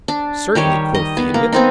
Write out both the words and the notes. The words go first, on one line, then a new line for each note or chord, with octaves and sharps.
"Certainly," quoth the Idiot.
D4
D#3 G3 G4 C#5
D#5
B3
A#3
B3 C4 D#4